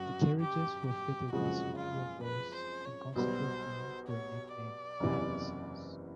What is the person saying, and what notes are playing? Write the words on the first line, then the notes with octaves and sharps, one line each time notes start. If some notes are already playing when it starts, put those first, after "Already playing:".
The carriages were fitted with small windows and consequently were nicknamed "padded cells".
Already playing: G1 F#2 F#4
G4
G4
F#1 F2 C#3 F3 G#3 F#4
F4
B4
C5
C#5
B1 B2 G3 B3 C5
C#5
D5
F#1 E2 C3 E3